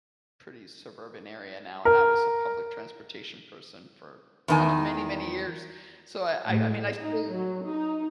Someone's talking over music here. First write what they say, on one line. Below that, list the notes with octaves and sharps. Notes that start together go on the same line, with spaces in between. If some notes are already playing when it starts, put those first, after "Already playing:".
pretty suburban area now and I was a public transportation person for, uh, many, many years. So I I I mean, I still
A#4
E2 D#3 G#5
A2
D#4
F#3
D#4